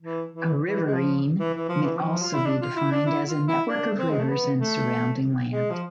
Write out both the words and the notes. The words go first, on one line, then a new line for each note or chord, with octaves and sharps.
A riverine may also be defined as a network of rivers and surrounding land.
E3
E3
E3
G#3
F3
E3
E3
F3
E3
F3
F4
E4
D4
F4
E4
D4
E4
F4
E4
D4
C4
G#3
A3
B3
A3
G#3
F3